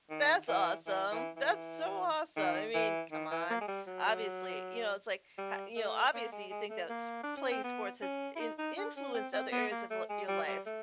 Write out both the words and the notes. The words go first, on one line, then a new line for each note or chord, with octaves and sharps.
That's awesome. That's so awesome, I mean, come on obviously you know, it's, like, h you know, obviously, you think that sp playing sports has in influenced other areas of li your life,
D#3
E3
E3
E3
E3
D#3
E3
D#3
E3
A#3
G#3
G3
F#3
G3
A3
A#3
G#3
G#3
A3
A#3
D4
C#4
C4
B3
C#4
E4
D#4
D#4
D4
C#4
C4
C4
B3
A#3
A3
G#3
G3
G3
A3